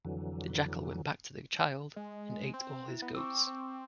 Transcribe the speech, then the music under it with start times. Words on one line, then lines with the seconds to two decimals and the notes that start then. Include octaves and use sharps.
The jackal went back to the child, and ate all his goats.
0.05 F2 D3 E3 F#3
1.96 G#3
2.54 C4
2.88 E4
3.02 B3
3.15 C4 C#6 D6 E6
3.47 C4